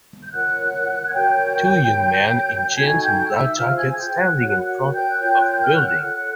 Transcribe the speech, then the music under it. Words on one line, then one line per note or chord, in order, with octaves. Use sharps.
Two young men in jeans and dark jackets standing in front of a building.
G6
F4 A#4 C#5 F#5 F#6
G#6
F#4 A#4 C#5 G5 G6
F#4 A#4 C#5
G6
D#4 F#4 A4 G#5 G#6
G5 G6
E5 E6
F4 G#4 C5 F5 F6
G#5 G#6
G5 G6
F#5 F#6
F#4 A#4 C#5 F#5 F#6
F#5 F#6
G5 G6
F#6
F4 A#4 C#5 G5 G6
F#6
G5 G6
F6
F#5 F#6
F6
F4 A4 C#5 F#5 F#6